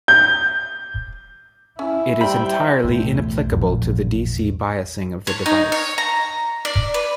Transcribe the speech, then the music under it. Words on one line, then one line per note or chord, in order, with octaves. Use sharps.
It is entirely inapplicable to the dc biasing of the device.
G6
C#4 E4
G3 C5 E5 G5 B5
B1 E2 A2
A1 E2 A#2 F3
C#5
D#4
C#5
A#5
D5
B4